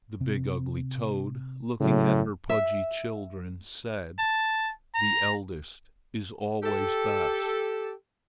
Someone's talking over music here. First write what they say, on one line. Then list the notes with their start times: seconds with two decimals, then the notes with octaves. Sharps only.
The big, ugly toad, looking at her pudgy children, said: "The eldest is always best."
0.21 C3 C4
1.80 A2 C#3 F#3
2.49 E5
4.19 A5
4.95 A#5
6.63 G4 A4